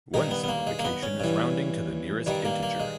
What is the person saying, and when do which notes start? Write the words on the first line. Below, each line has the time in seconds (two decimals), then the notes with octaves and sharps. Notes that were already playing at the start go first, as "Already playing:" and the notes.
One simplification is rounding to the nearest integer.
0.14 G2 D#3 D#4
0.31 B3
0.44 B3
0.48 A#3
0.67 G#3
0.79 A#3
0.85 B3
1.03 C#4
1.20 G2 E3
2.26 G2 D#3 G3
2.45 A#3
2.63 A#3
2.80 G#3